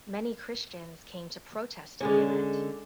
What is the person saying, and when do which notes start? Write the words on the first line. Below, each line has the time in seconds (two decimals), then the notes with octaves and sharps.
Many Christians came to protest the event.
2.01 D3 G#3 C#4